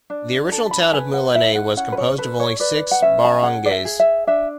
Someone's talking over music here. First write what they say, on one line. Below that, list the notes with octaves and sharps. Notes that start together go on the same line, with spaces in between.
The original town of Mulanay was composed of only six barangays.
D4
A4
B5
A5
B4 G#5
F#5
E4 E5
F#5
C#4 F#5
B4
C#5
A4 B4
C#5
B4 D5
F#5
C#4 E5
A5
G#5
G#4 F#5
D5
E5
G#4
E5
D4 E5